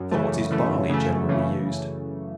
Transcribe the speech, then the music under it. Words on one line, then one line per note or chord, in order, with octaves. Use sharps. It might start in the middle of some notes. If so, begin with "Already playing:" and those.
For what is Barley generally used?
Already playing: F#2
C#3 E3 A3
F#2
C#3 E3 A3
F#2
C#3 E3 A3
F#2
C#3 E3 A3